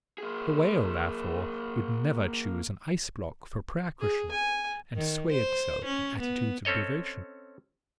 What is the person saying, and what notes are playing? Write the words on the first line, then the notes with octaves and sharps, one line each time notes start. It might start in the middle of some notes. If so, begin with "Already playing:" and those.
The whale, therefore, would never choose an ice-block for prayer-cushion, and sway itself in attitudes of devotion.
A#3 G#4
G#4
G#5
D#3
C5
C#4
B3
C4 C#4 A4 C#5 D#5